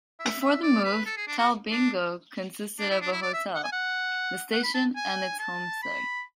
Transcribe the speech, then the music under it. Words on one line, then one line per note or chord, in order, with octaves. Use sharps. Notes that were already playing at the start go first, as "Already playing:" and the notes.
Before the move, Talbingo consisted of a hotel, the station and its homestead.
E5
E5
D5
B4
A4
G#4
D4
F#4
D4
D4
E4
D4
E4
D5
E5
F#5
G#5
F#5
F#5
B5
A5
G#5
A5
B5